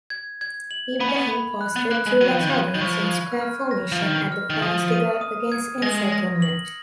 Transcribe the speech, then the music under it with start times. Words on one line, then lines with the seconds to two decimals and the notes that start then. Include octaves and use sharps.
Ibrahim posted two battalions in square formation at the flanks to guard against encirclement.
0.10 G#6
0.41 G#6
0.71 F#7
1.00 B3 B5
1.08 C#4
1.16 B3
1.31 B5
1.61 F#6
1.76 B3
1.91 A#3 F#6
2.06 G#3
2.21 F#3 D#7
2.31 F3
2.40 D#3
2.49 F3 G#6
2.74 D#3
2.81 F3 C#6
3.11 G#6
3.41 F6
3.71 A#6
3.92 F3
4.01 D#3 F6
4.32 F6
4.50 D#3
4.62 F3 D#6
4.92 D#7
5.21 D#6
5.52 G#6
5.82 G#3 A#6
6.12 A#6
6.42 F#7